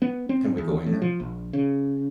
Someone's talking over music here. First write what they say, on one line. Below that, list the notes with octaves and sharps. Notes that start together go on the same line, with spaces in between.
"Can we go in there?"
B3
C4
E2
A2
F3
A#1
C#3